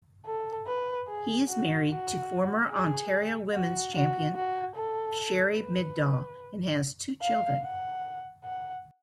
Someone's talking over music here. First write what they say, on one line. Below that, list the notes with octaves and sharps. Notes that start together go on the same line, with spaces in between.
He is married to former Ontario women's champion Sherry Middaugh, and has two children.
A4
B4
G#4
F#4
F#4
G#4
F#4
F#4
F#4
A4
B4
F5
F#5
F#5